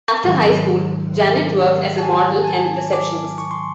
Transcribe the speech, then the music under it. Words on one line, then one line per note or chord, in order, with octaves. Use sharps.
After high school, Janet worked as a model and receptionist.
G#2 D#3 F#3
A5
G#5
G#5
A5
D6
C#6
C6